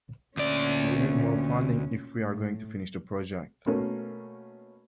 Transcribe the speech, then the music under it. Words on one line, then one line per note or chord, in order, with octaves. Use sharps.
We need more funding if we're going to finish the project.
D2 A#2 C#4 D5
A2
B2 A3 A#3 C#4